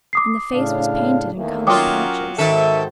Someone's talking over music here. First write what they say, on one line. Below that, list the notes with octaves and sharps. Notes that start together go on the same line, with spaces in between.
And the face was painted in coloured patches.
D6 D#6 C7
A2 C#3 D4 F5
E2 D#3 A3 A#3
F#3 C#4 F4 A#4 G5 D6 D#6
G#2 D#3 F#4 A4 C5 E5